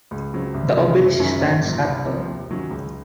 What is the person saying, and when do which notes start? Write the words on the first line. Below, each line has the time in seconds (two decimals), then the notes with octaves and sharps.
The obelisk stands at tall.
0.11 C#2
0.33 C#3 F#3 C4
0.54 C2
0.76 C3 F3 G#3 C#4
0.98 F#1
1.20 F#2 D#3 F#3 C#4
1.41 A#1
1.62 A#2 F#3
1.83 C2
2.06 C3 F3
2.27 D#2
2.49 D#3 F#3 C#4
2.71 C#2